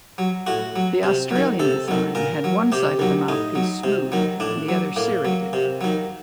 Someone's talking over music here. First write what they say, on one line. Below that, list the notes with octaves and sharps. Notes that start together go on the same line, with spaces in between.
The Australian design had one side of the mouthpiece smooth and the other serrated.
F#3
A2 F#4
F#3
C3
D#3 F#3
C3 A4
D#3 F#3
A#2 A#4
F#3
C3 G4
D#3 F#3
A2 D#4
F#3
C3
D#3 F#3
A2 D4
F#3
A2 A#3
F#3
C3
D#3 F#3